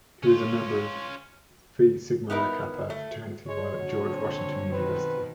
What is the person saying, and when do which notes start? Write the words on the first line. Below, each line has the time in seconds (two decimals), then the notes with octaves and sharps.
He was a member of Phi Sigma Kappa fraternity while at George Washington University.
0.23 C#4 F4
2.30 B3 D#4 E4 A#4
2.90 A3
3.48 G#3 C#5
3.79 A#2 D3 F#3
4.13 C4
4.72 B2 D#3 C4 B4